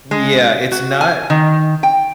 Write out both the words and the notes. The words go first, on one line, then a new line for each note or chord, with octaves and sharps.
Yeah, it's not
G#3
F#4
G#5
D#3
G5